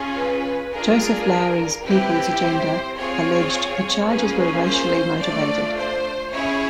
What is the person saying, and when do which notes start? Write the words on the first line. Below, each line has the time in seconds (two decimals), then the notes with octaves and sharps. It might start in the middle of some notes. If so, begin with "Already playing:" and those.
Joseph Lowery's People's Agenda alleged the charges were racially motivated.
Already playing: C#4 F4 G#4
0.17 B4
0.73 D4 F4 G#4 A#4
1.84 C4 E4 G4 B4
2.41 C5
2.97 C4 F4 G#4 C#5
4.08 A#3 C#4 F4 G#4 B4
4.65 C5
5.21 A3 D4 F4 D5
5.77 C5
6.33 C#4 E4 G#4 C#5